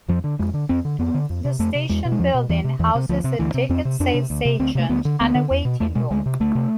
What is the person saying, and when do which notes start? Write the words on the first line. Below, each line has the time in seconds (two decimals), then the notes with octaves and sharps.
The station building houses a ticket sales agent and a waiting room.
0.09 F2 F3
0.24 D3
0.39 F2 G#3
0.54 D3
0.69 F2 C4
0.85 D3
0.99 F2 B3
1.14 D3
1.30 F2
1.45 C3
1.59 F2 A3
1.75 C3
1.89 E2 G#3
2.05 B2
2.12 G#3
2.19 E2 F3
2.34 B2
2.49 E2 E3
2.64 C3
2.79 E2 E3
2.95 C3
3.09 D2 F3
3.24 C3
3.39 D2 E3
3.54 C3
3.69 F2 C4
3.85 C3
4.00 F2 D4
4.14 C3
4.30 D2
4.45 C3
4.59 D2 C4
4.75 C3 A3
4.89 D2 B3
5.05 D3
5.21 D2 B3
5.35 D3
5.51 E2
5.65 B2
5.80 E2 A3
5.95 B2 G#3
6.11 D2 G#3
6.26 C3
6.40 D2 A3
6.55 C3